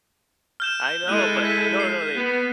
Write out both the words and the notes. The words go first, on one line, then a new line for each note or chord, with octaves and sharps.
I know, but no, no, they
F6 G6 E7
G#3 E4 A4 F#6 D#7
B6
C7
B3